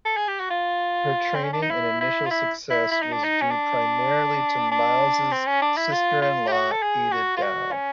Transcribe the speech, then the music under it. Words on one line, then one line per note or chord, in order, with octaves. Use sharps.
Her training and initial success was due primarily to Miles's sister-in-law Ada Dow.
A4
G#4
G4
F#4
F4
C4
C#4
D4
D#4
E4
E4
F4
E4
E4
E4
D#4
D4
D#4
C#4
D4
D4
C4
C#4
D4
E4
F4
F4
G4
F#4
A4
G#4
F#4
F4
F#4
C#4